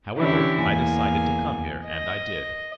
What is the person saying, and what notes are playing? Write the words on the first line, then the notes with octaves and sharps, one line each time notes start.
However, I decided to come here, and I did.
D3 E3 C#4 E4 G4
E2 A#3 G#5
D#5